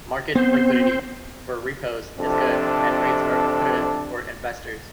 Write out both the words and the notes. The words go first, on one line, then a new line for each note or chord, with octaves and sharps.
Market liquidity for repos is good, and rates are competitive for investors.
B3 C4 C5
F2 C3 D4 A4